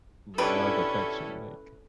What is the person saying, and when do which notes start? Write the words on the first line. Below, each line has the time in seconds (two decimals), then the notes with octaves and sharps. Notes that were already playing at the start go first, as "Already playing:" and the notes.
love affection, like
0.38 B2 C#4 D4 E4 G4 A4 B4